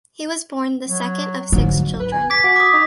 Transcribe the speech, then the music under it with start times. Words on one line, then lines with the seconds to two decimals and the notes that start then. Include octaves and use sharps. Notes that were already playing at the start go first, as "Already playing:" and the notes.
He was born the second of six children.
0.89 F#3
1.52 G#2 D3 F#3
2.00 B4
2.12 G#5
2.30 D6 G#6 B6
2.44 F#4
2.56 D6 D#6
2.73 D#4